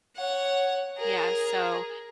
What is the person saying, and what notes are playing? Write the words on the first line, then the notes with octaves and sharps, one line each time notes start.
yeah, so,
C#5 F#5
G#4 A#4